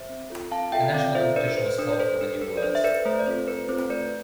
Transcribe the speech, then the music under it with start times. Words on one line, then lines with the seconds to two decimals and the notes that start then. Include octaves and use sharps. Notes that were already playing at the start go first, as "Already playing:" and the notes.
A national competition was held for the new words.
Already playing: C5 E5
0.09 C4
0.30 F4 A4
0.51 C4 F5 A5
0.72 F4 A4 E5 G5
0.94 C4 D5 F5
1.06 D5
1.15 F4 A4 C5 E5
1.36 D4 B4 D5
1.48 B4
1.57 A4 C5
1.78 D4 B4
1.92 D5
1.99 A4 C5
2.21 D4 B4
2.41 A4 B4
2.57 D5
2.63 D4 C5
2.75 E5
2.84 A4 B4 D5
3.05 A3 C5
3.19 D5
3.26 C4 F4 A4 C5
3.48 A3 B4
3.68 C4 F4 A4 C5
3.89 A3 B4 D5
4.02 D5